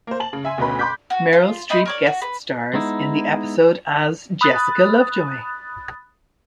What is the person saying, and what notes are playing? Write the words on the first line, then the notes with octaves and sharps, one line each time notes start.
Meryl Streep guest stars in the episode as Jessica Lovejoy.
A#3 C5
A5 F#7
C#3
E5 G#5 C6
D2 B2 C#4 B4 B5
B5 C6 D6 F#6 G6 B6
F#4
F4
D#4 E5 B5 C6
A#4 C#5 D5
F#4
B4
G#3 B3 D#4 E4
B5 D#6 F#6 A6